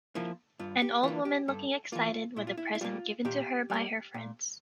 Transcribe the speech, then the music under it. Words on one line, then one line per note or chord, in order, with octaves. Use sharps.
An old woman looking excited with a present given to her by her friends.
F3 A#3 E4
G2 F4
G4
E3 A#3 F4
G4
G2 A4
E3 A#3 F4
A#2 E4
F4
E4
E4
G3 A#3 F4
A#2 G4
G3 A#3
A#2